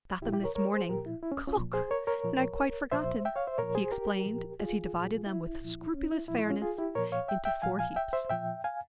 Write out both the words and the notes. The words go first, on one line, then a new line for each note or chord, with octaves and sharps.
'I got them this morning - cook - and I'd quite forgotten,' he explained as he divided them with scrupulous fairness into four heaps.
A#2 F3 E4 G4
E4 G4
A#4 C#5
A#4 C#5
G#4 C5
A#2 F3 G4 A#4
E4
E4
C#4
C#4 F4
A#2 F3
G#4 C5
A#4 C#5
A#4 C#5
A#2 F3
A#2 F3 C5 E5
E5 G5
C#5 F5
C5 E5
A#2 F3 A#4 C#5
G#4 C5
G4 A#4
A#2 F3
F4 G#4
A#2 F3
E4
A#2 F3
C#4
E4
A#2 F3 E4
E4
C#4 F4
F4 G#4
E4 G4
A#2 F3 A#4 C#5
C#5 F5
E5 G5
E5 G5
A#2 F3 F5 G#5
F5 G#5
E5 G5
C5 E5
A#2 F3 E5 G5
F5 G#5